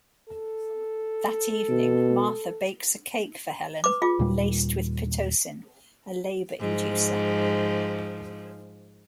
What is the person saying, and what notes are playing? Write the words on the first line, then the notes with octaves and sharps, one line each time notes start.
That evening, Martha bakes a cake for Helen laced with pitocin, a labor inducer.
A4
B2
B4 D6
F4 G#4 D6
D#2 A#2 G3
G#2 F3